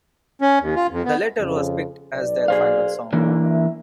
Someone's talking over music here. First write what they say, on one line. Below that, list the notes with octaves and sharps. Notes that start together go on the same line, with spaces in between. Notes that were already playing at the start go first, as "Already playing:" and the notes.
The latter was picked as their final song.
C#4
D#2
F4
F2
B3
F2 C#3
B1 B2 D5
G#4 C5 F5
B1 E3 A#3 D4
E5